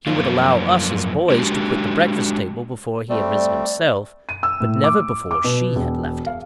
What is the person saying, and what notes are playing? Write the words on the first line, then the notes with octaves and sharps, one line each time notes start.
He would allow us, as boys, to quit the breakfast-table before he had risen himself; but never before she had left it.
F#2 F3 A#3 F4
G#3 D4 F#4 G4
G3 A3 C4 D5
D#7
E6
A2
D6
D6
B2
E1
F5